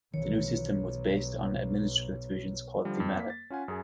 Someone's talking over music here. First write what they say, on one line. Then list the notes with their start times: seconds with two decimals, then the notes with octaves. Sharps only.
The new system was based on administrative divisions called Themata.
0.14 B1 D#3 E3 C#5
2.85 D3 F3 G3
3.00 F2
3.17 A#3 B6
3.30 A6
3.50 C#4 F4 F#5 G#5
3.68 F#2 G#4 G#5